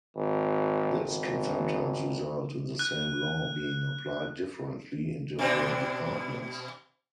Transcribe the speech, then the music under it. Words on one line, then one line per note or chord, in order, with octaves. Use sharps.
This can sometimes result in the same law being applied differently in different departments.
G#1
G#1
F#6
B2 C4 D4